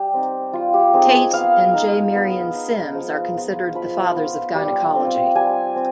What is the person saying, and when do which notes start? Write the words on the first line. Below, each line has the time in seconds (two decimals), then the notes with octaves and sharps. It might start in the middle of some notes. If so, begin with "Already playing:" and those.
Tait and J. Marion Sims are considered the fathers of gynecology.
Already playing: G3 G4
0.14 C4 D#4
0.53 G3 F4
0.74 G4
0.94 C4 D#4 G#4
1.14 G#4
1.33 B3 F5
1.74 D#4
2.14 B3
2.55 D#4
2.94 F3
3.35 B3 F4
3.75 F3 B5
4.15 B3 F4
4.55 G3
4.95 C4 F4
5.35 G3 G#5
5.76 C4